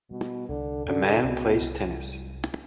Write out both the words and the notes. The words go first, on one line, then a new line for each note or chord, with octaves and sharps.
A man plays tennis.
B2 G3
C2 D3
C2 D3
C2 B2
C2
G3